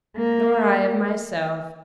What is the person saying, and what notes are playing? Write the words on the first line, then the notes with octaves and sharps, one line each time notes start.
'Nor I of myself.
A#3